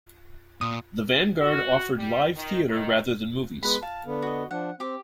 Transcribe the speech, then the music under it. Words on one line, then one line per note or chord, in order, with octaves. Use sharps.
The Vanguard offered live theater rather than movies.
A#2 D#6
F#4
G3
D#3
D#3
G#3 B3 B4 B5
F5 A5
D3 B3
F#4 D#5
F3 D4 F#5
C4 G4 D6